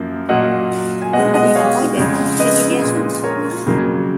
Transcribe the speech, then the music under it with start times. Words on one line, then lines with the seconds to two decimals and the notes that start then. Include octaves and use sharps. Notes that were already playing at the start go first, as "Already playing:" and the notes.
The company avoided Litigation.
Already playing: F#2 F3 A#3
0.29 A#2 F#3 A#3 D#5 F#5
1.02 G#5
1.13 B2 G#3 D#5 F#5
1.34 D#5 F#5
1.55 C#5 F5
1.97 F2 C#3 G#3
2.39 B4 D#5
2.82 A#2 G#3
3.24 A#4 C#5
3.66 F2 C#3 F#3 A#3